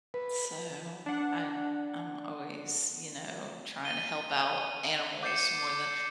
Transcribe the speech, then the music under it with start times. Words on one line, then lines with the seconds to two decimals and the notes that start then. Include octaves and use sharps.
So, I I'm always, you know, trying to help out animals more than
0.14 B4
1.06 D4 F#5
3.85 D#7 G7
5.23 D6 G6 A6 C7 C#7 E7